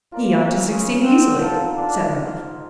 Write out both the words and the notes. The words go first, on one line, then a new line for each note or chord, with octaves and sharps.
"He ought to succeed easily," said Ralph.
F4 A#4 D5
C#3
C4 F#5
D#4 F4 A4
D4
G#2